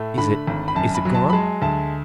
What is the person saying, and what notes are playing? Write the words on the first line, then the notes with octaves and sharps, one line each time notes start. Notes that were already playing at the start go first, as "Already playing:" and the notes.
"Is it--is it gone?"
Already playing: A2 A3
D3 B5
G#1
B5
F#2 A5
B5
F#3
A5
B5
G#3 A5
D2 A5